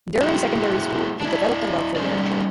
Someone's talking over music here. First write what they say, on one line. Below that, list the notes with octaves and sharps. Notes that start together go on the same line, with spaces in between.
During secondary school, he developed a love for literature.
G#3 A3 E4 F#4 G4
D4 E4
G3 C#4 D#4 C5 D5